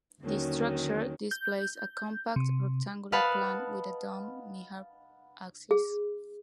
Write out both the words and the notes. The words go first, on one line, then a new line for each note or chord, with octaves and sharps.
The structure displays a compact rectangular plan, with a domed mihrab axis.
D#2 D3 D#3 F#3 C#4
G6
C3
B4 D#5 F5 F#5 A5 B5
G#4